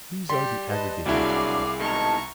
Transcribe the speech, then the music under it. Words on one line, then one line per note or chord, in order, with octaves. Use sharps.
These are the aggregating tongues.
G3 G4 C6
B4 D#5 A5
C2 F#3 D4 E4 F#4 G#4 F5 D6
B2 D#3 G#3 A5 A#5 C#6